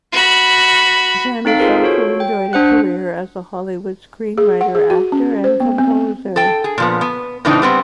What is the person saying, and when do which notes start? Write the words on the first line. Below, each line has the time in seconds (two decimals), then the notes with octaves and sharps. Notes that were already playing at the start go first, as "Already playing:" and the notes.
Janis also enjoyed a career as a Hollywood screenwriter, actor, and composer.
0.12 F#4 B5
1.45 C4 D#4 A4 F5
1.58 F4 G#4 A#4 C5
1.83 F#4 A4 C#5
2.20 G5
2.53 D4 C5 F#5 F#6
4.38 G#4
4.61 F#5
4.75 G#4
4.90 F#4
5.12 C#4
5.44 C5
5.60 B3
5.78 C4
5.90 C4
6.36 A4 G5
6.64 G#4
6.78 A#2 F3 B3
7.01 B3
7.45 A2 C#3 E3 C4 D4 D#4
7.62 G3 B3 C4